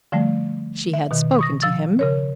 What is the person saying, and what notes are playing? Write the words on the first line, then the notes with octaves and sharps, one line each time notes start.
She had spoken to him.
D3 F3 G3 A3
E5
B2 D#3
C#6 D#6 A#6
F3 E6 A6
C#3 A#4 C#5